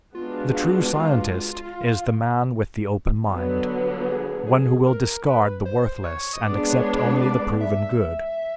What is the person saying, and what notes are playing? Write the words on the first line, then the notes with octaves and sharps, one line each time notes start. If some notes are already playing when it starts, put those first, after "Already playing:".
The true scientist is the man with the open mind, one who will discard the worthless and accept only the proven good.
G#3 B3 D4 F4 F#4
F4
F4
D3 F#3 B3
G#4
G#4
A#4
B4
C5
C#5
D#5
G#3 B3 D4 D5
C#5
C#5
D5
E5